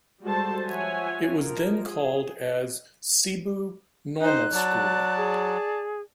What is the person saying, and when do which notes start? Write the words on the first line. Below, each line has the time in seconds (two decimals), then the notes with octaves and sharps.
It was then called as "Cebu Normal School".
0.23 G3 G#3 F#4 A4 C5 A5
0.65 F3 C#5 E5 F#5 G#5
1.39 F3 A#4
1.86 G#4
4.21 D#4 C5 F#6
4.53 F#3 D5 A5
5.17 G#4